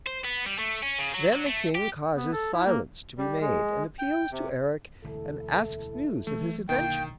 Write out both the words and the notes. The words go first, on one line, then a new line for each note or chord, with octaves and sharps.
Then the King causes silence to be made, and appeals to Erec and asks news of his adventures.
C5
B3
G3
A3
C#4
C#3
F#3
F#3
A3
G4
B3
A4
E4
A#3
G3
G#3
G5
C3
E1 D2 E4 A4
E3 F#3 A3
B1 D3 D#3 A#3 G5